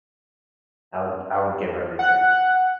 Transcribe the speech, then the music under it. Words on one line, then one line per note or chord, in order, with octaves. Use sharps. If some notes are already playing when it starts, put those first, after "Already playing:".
I would I would give everything.
F#5